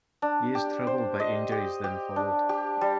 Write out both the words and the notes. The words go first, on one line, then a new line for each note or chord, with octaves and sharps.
Years troubled by injuries then followed.
D4
G4
C5
D#5
G4
G4
D4
G4
G3